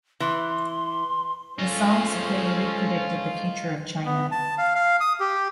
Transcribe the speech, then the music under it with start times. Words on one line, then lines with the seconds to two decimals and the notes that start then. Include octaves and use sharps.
The song supposedly predicted the future of China.
0.20 E3 C6
1.59 G#3 C#4 F4 A4 C5 D#5
4.06 B3
4.31 A5
4.58 F5
4.75 F5
5.00 D#6
5.20 G4